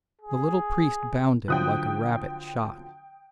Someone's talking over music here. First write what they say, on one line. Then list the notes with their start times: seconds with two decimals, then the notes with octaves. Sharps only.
The little priest bounded like a rabbit shot.
0.21 G#4
1.48 D3 F3 F#3 G5 D#6 F#6